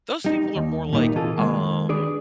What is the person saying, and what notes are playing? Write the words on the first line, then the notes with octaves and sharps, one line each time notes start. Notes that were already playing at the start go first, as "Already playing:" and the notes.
Those people are more like, um
G3 D#4
D#2
A#2 G3 A3 A#3 D#4
C3 E3 F4 G#4 A4
D#3 G#3 A#3
D4 G#4 B4 D5